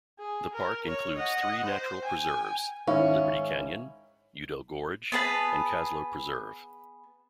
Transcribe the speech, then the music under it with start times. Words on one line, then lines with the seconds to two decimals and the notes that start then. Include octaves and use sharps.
The park includes three natural preserves: Liberty Canyon, Udell Gorge, and Kaslow Preserve.
0.19 G#4
0.53 A#4
0.88 C#5
1.16 D#5 F#5
1.65 C5
2.05 G5 G#5
2.87 G#2 D#3 C#4 E4 E5 F5 C#6
5.12 B3 G#4 B4 A5